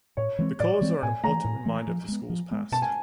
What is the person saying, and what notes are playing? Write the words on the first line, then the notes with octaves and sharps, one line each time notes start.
The colors are an important reminder of the school's past.
A2 C#5
E3 G#3 C4
A2 D5
E3 G#3 C4
A2 G#5
E3 A3 A#5
A2
E3 A3
F3
G#3 B3
F3
G#3 B3
B2 A5
G#5